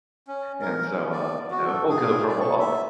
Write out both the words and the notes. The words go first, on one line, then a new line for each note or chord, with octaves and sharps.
And so, uh, you know, we'll go for a walk.
C#4
A#4
C#4
D5
F#4
A4
G#4
D5
C#6
E5